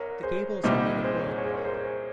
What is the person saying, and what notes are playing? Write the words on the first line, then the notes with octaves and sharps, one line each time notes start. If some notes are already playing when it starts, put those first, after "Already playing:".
The gables are made of wood.
Already playing: C2 A#4 C#5
G#4 C5
C2 A#2 G3 C4 D#4
G#4 C5
C#5
G#4 C5
C#5
G#4 C5
A#4 C#5
G#4 C5
G#4 C5